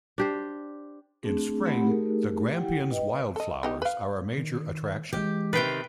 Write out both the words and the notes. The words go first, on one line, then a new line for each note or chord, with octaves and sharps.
In spring the Grampians wildflowers are a major attraction.
D4 G4 C5
A3 C4 D4 G#4
A3 C4 E4 G4 F#5 B5
A3 D#4 G4 G#4 A#4
E4 G4 F#5 G5
B4 D#5 G5
A4 D#5
B3 D#4 G4
B4 F5
D#3
E3 G#3 G4
C3 D#3 B4 G5 A6 B6 C7